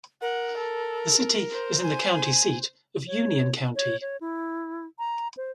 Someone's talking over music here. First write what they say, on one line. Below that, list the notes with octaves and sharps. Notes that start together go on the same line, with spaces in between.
The city is the county seat of Union County.
A#4 F#5
A4
C5
G#5
C#5
C#5
C#5
E4
A#5
C5